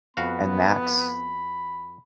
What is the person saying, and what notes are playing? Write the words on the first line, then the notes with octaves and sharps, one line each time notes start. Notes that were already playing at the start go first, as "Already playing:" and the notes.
And that's
F2 B3 F#4 F5 B5